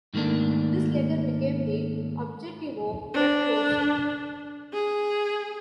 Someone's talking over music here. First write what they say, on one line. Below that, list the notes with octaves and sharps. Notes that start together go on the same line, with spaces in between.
This later became the Objetivo prep course.
G#2 D#3 A3 A#3 D4
D4
G#4